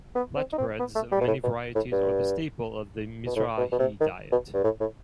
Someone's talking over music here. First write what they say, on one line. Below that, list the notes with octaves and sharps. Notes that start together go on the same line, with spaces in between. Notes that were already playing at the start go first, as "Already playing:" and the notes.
Flatbreads of many varieties are the staple of the Mizrahi diet.
B3
C4
D#4
C4
B3
A3
G3
B2
A2
B2
A2
G2
B2
A2
B2
B2
C3
D#3
B2
G2
A2
A2